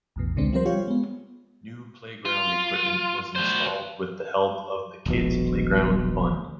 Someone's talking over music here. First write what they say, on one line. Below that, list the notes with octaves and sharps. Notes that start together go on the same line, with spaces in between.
New playground equipment was installed with the help of the Kids Playground Fund.
A1 E2 B2
C#2 B2 D3 G#3 C4
F3 G3 C4 A#4 C5
G3 F4 G4 C#5 F5
G#3 B3
F4
F#4 C5
D#1 A#1 B2